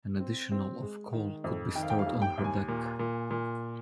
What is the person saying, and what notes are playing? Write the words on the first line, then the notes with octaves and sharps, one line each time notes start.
An additional of coal could be stored on her deck.
C4
C4
G#3
D#3
F2
D#3 G5
F5
G5
F5
D#2
G5
D#2
G#5
A#2
A#2
A#2